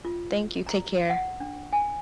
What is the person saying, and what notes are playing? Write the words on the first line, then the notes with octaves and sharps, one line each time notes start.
Thank you, take care.
F4
A#5
F#5
D4
G#5